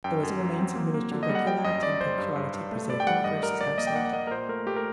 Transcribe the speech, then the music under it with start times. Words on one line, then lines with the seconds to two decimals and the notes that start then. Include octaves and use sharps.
There was a remains of military regularity and punctuality preserved in the grocer's household.
0.04 F#2 G5
0.23 F#2
0.40 F#3
0.58 C4
0.75 A#3
0.94 A#3
1.11 D3
1.23 D#5
1.29 G3
1.35 F#5
1.47 G3 G5
1.65 F#2 D#5
1.83 F#2 D5
2.00 F#2 C5
2.18 G2
2.36 G2
2.54 G2
2.71 A3
2.89 G2 D5
3.00 G5
3.06 G3 F#5
3.24 G2 D#5
3.43 G3 A#4
3.61 A#1 D5
3.78 A#3 D#5
3.87 G5
3.95 A#3 F#5
4.05 F#5
4.13 A#3 D#5
4.27 A#4
4.31 A#2 C5
4.49 A3 A#4
4.67 A3 G4
4.76 A#4